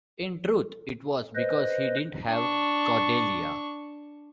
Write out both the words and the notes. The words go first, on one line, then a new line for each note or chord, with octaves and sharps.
In truth - it was because he didn't have Cordelia.
B4 C5 D#5
D4 C#6